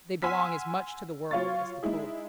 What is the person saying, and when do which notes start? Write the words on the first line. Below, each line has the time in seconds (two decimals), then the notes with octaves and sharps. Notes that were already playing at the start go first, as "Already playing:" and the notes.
They belong as much to the world as to Poland.
0.22 F#5 G#5 C6 E6 F6 B6
1.31 F#3 F4 C#5 F5 C#6 A6
1.83 G#3 D#4 E4 G#4